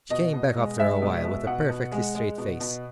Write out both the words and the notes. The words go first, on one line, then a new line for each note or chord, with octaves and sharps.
She came back after a while, with a perfectly straight face.
B2 D#5
B2
G#3
G#3 E5
B2
B2
B2 F#5
B2
G#3
G#3
B2
B2